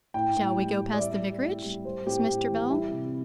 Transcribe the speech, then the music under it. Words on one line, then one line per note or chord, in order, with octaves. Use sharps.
'Shall we go past the vicarage?' asked Mr. Bell.
A2 G5
A2
G3
A2
D5
G3 E5
G3
A2
G3
G3 C5
A2 G4
A2
E3
G3 E4
C3